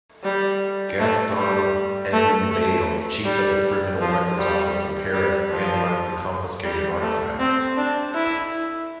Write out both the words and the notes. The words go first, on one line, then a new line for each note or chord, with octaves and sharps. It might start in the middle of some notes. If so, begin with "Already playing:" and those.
Gaston-Edmond Bayle, chief of the Criminal Records Office in Paris, analyzed the confiscated artifacts.
G3
A3
G3
A3
A3
G3
F3
G3
G3
F3
G3
A3
C4
D4
E4